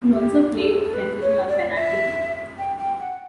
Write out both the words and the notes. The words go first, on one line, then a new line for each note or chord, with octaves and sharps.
He also played extensively on penalty kill.
G4
A4
A4
B4
C#5
D5
E5
G5
G5
F#5